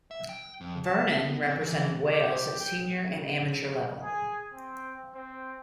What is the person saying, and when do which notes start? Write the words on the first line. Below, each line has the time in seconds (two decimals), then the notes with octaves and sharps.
Vernon represented Wales at senior and amateur level.
0.11 E5
0.29 G5
0.61 F2
0.86 A5
1.19 B3
1.43 C4
1.61 E3
2.07 G4
2.60 G5
3.08 C#3
4.01 G#4
4.52 C4
5.13 C4